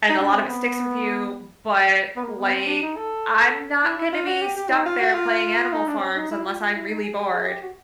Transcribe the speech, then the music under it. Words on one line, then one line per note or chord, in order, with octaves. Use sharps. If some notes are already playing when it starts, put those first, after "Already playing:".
and a lot of it sticks with you, but, like, I'm not gonna be stuck there playing Animal Farms unless I'm really bored
D#4
D4
C4
B3
B3
A#3
B3
C4
D4
D#4
A4
E4
E4
F4
F#4
G4
G4
D#4
F4
F#4
F4
D#4
D4
C4
C#4
D#4
E4
F4
F4
E4
D#4
G#4
G4
G#4
G4
F#4